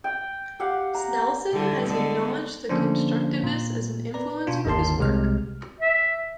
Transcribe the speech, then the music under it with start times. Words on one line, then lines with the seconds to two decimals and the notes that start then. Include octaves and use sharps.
Snelson has acknowledged the constructivists as an influence for his work.
0.04 G5
0.59 G4 F5 F#5
0.94 A#5
1.53 D3 E3 G3
1.85 D3 G#3 B3
2.69 D3 F3 A#3 C#4 D4 C5
3.43 A#2
4.14 B4 D5 A#5
4.47 B2 D4 F4
4.65 G1 D#2 D#3 A#4 A5 C6
4.99 C2 C3 G#3 F6
5.80 E5